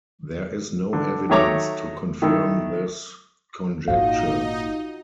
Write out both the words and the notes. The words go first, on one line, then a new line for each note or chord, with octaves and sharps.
There is no evidence to confirm this conjecture.
D3
D#3 F#3 A3 C#5 A#5 D6
D#3 A3 E4
G#1 A#2 D#4 F4 F#4 D#5 F5